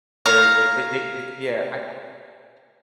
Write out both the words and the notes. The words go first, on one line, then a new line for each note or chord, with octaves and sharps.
they're they they they they yeah, I
C#5 F5 A#5